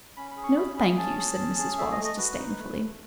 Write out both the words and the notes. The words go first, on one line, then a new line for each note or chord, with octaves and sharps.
"No, thank you," said Mrs. Wallace disdainfully.
C#4 B5
B5
G#4
C#6
C#4 B5
G#4 B5
C#4 A5
G#4
C#4
G#4
A3 E5
D#5
A3
D#5
F#4 B4
D#4
A3
A3